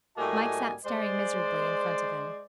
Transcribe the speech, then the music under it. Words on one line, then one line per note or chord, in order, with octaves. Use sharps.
Mike sat staring miserably in front of him.
A2 G3 A#3 F#4 D#5 G#5
G#3 C5 D5